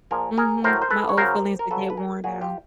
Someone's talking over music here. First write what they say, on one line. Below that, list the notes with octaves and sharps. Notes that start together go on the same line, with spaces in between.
Mhm. My old fillings are getting worn down.
A#2 F3 G#4 A#4
G#4 A#4
A2 F#3 A#4 C5
C5
A4 B4
C#5
C#3 F#3 A#4 C5
A#4
C#3 F#3 A4 B4
B4
G#4 A#4
A#2 F#3 F#4 G#4
F4 G4